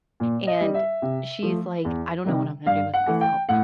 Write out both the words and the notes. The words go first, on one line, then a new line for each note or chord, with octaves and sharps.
and she's like, "I don't know what I'm gonna do with myself."
A#2
D#5
G3
E5
C3
F3 A3
E2
C3 D#3 G3
G2 F5
F#5
E3 A3
G5
A2 F#5